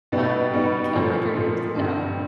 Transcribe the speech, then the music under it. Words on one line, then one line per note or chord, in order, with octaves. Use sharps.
Fine. Kill my dreams, no.
B2 G3 B3 D#4
B2 G3 B3 D#4
A#2 F3 A3
A#2 F3 A3
G2 D3 G3 C4